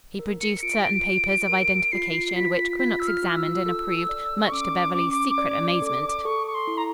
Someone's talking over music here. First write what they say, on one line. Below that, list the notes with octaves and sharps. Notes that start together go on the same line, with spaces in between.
He produced certain papers of identification which Quinnox examined and approved, much to Beverly's secret amazement.
A#4
C#7
F4 D7
D7
F4
A#4
F4 C7
F4 B6
F4 B6
E6
F6
F4
E6
A4
D5
C#6
C#4 D6
C#4
D5
A4
A4 C#6
C#6
C6
E4
A#5